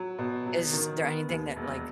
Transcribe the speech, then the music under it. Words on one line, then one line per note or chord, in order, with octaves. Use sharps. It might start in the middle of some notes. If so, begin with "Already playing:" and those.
is there anything that like
Already playing: F#3
B2
F#3
D#3
B3
D#2
E1